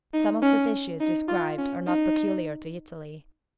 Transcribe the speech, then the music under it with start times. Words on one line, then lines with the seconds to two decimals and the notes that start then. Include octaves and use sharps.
Some of the dishes described are not peculiar to Italy.
0.14 D#4
0.42 C#4
1.00 D#4
1.28 F4
1.58 C#4
1.87 D#4